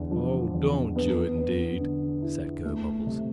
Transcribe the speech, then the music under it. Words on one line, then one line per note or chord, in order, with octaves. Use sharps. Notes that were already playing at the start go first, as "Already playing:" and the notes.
"Oh, don't you, indeed!" said Gobobbles.
Already playing: E2 D3
F3
E2
B3
B3
D3
E4
A3
C3